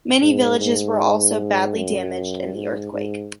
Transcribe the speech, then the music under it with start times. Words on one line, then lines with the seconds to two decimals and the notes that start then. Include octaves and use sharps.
Many villages were also badly damaged in the earthquake.
0.22 G#2
0.60 G#2
1.76 F#2
2.54 G#2
2.92 G#2